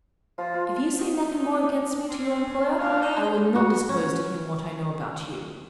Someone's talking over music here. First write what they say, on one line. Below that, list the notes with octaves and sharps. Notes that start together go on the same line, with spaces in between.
If you say nothing more against me to your employer, I will not disclose to him what I know about you.
F3 F4
F4
E3 D#4
C4 C#4
A#2 C#4 D4 F5
D#4 C5
F#4
C#4